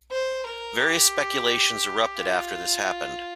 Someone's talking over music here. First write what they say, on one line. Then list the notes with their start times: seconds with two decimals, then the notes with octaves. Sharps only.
Various speculations erupted after this happened.
0.11 C5
0.46 A#4
0.81 G4
2.19 F4